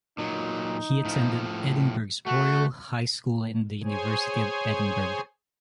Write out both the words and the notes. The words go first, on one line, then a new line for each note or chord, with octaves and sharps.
He attended Edinburgh's Royal High School and the University of Edinburgh.
A#2 F#3 D#4
A2 F3
A3 F#4
G#4 C5 C#5 G#5